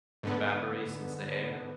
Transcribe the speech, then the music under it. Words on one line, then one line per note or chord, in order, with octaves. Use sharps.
evaporates into the air.
G#2 D3 B3